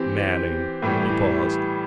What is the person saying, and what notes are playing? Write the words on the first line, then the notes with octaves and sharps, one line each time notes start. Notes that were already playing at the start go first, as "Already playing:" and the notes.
"Manning." He paused.
Already playing: E3 C4 G4
A2 E3 G3